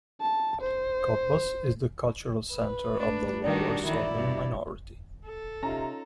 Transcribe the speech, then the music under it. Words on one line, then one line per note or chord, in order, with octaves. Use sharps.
Cottbus is the cultural centre of the Lower Sorbian minority.
A5
C5
B4
A3 D4
D#3 G3 D4 F#4
D#3 E3 E4 D5
G2 B2
A4
C3 C#4 D#4 F4 A#5